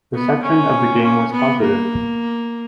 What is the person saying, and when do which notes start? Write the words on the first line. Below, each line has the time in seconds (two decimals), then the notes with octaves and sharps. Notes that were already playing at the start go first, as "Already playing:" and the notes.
Reception of the game was positive.
0.14 B3
0.43 C#4
1.02 C#4
1.32 B3
1.60 A#3